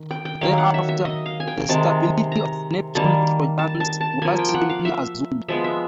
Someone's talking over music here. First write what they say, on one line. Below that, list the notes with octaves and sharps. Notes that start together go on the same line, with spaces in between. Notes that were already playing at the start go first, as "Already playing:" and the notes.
Thereafter, the stability of Neptune trojans was simply assumed.
Already playing: D#3
G5
G5
D#3 F#3 A#3 F5
F#5
E5
E5
D#5
F5
G#5
G5
C3 D#3 G#3 A5
A#5
D#3 G3 A#3 A5
A5
A5
A5
F3 A#3 G#5
G5
G5
F#5
F5
E5
F3 G#3 B3 E5
E5